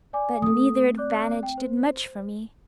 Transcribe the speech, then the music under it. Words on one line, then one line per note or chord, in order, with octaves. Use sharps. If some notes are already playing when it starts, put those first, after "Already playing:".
But neither advantage did much for me.
D5 G#5 D6
A3 C4 A4 D#6
D5 D6 F#6
G5
C5